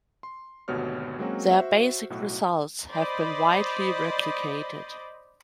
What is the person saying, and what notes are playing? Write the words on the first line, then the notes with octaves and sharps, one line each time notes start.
Their basic results have been widely replicated.
C6
G#1 D2 B2 G4 C#5 F6
F#3 G#3 A#3 C4 C#4 F#4
F#4 C5 E5
B1 A2 F#4
C5 D5 D#5 B5